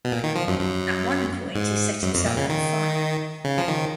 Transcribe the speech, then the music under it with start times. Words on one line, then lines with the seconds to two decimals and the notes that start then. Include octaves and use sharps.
At one point he set himself on fire.
0.05 B2
0.12 A#2
0.23 D#3
0.36 F3
0.48 F#2
0.59 F#2
1.55 G#2
2.02 F#2
2.14 F2
2.26 A#2
2.37 C#3
2.50 D#3
3.44 C#3
3.58 F3
3.68 D#3